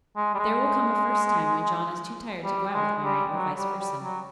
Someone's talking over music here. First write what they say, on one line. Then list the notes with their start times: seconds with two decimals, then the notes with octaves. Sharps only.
But there will come a first time when John is too tired to go out with Mary, or vice versa.
0.16 G#3
0.34 G3
0.39 G#3
2.44 G3
2.73 G#3
3.04 G3
3.35 F#3
3.57 G3
3.80 G3
4.03 F#3